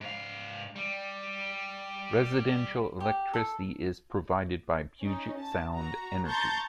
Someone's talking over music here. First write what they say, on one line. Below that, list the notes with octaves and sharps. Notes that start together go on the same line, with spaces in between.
Residential electricity is provided by Puget Sound Energy.
G#2 F5
G3
G4
A4
C#4 D#4
A5
F#4 A#5
A5 A#5 C6 C#6 G6 A6